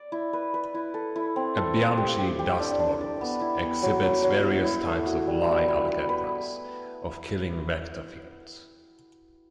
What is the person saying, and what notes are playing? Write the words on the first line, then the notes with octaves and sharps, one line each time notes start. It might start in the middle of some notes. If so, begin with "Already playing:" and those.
A Bianchi dust models exhibits various types of Lie algebras of Killing vector fields.
Already playing: D5
E4
B4
B4
E4
A4
E4
C4
A4
C5
G4
G4
G4
D4
D4
D5
B3
E4
B3
F#3
F#3
F#3
E4
E4
A3
F#4
G3
B3
E4
B4
B4